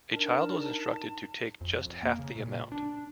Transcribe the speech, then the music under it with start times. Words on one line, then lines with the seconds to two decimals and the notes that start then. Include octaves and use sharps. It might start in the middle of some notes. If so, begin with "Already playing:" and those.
A child was instructed to take just half the amount.
0.12 D4 D#4 A#4 A5
1.61 F2
1.86 F2
2.03 A#3
2.19 C#3
2.36 A#2
2.72 D4